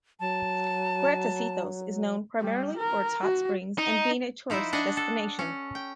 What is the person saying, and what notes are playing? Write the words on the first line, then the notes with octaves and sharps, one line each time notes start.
Puertecitos is known primarily for its hot springs and being a tourist destination.
F#3 A5
G3
A#4
F#4
D#4
F3 D#4 E4 C5 E5
D4 D#5 F#5 G#5
A4
C#4
G5